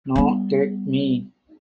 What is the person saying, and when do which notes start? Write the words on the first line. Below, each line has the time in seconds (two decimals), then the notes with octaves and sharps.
Noh Tek Mi!
0.16 G3 B3